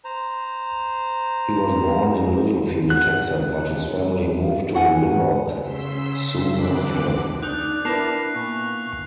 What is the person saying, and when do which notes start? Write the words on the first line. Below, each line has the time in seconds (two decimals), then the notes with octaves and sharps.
He was born in Littlefield, Texas but his family moved to Lubbock soon after.
0.04 C5 A#5
2.90 F#4 F#6
4.75 F#4 F#5 G#5
5.60 C#3 C6 E6 B6
6.52 E2 D3 C4 D6 F#6
7.43 D4 D#4 F#6 F7
7.85 B3 E4 A#4 B4 A5 C7 F7
8.35 A#2 C#6